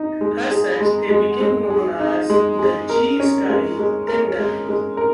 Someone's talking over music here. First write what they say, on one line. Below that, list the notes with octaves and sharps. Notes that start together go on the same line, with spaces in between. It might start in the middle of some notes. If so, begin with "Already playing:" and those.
As such, they became known as the 'G' style tender.
Already playing: D#4
G#3
G#4
G#3
G#3
G#3
G#4
D#4
G#3
G#4
A#4
C#4
G#3
G#3
A#4
G#3
G#3
A#4